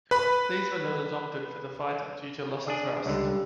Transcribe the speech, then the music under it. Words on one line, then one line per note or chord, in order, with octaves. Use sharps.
These were not adopted for the fighter due to loss of thrust.
B4 B5
D4 G#4 D5
C#2 D3 G3